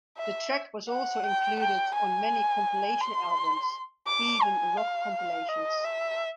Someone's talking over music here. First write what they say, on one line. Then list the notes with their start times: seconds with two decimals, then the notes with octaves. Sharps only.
The track was also included on many compilation albums, even rock compilations.
0.18 E5
0.89 F#5
1.24 G5
1.60 G5
1.94 G#5
3.01 C6
4.07 D6
4.43 G#5
4.78 F5
5.49 D#5
5.84 E5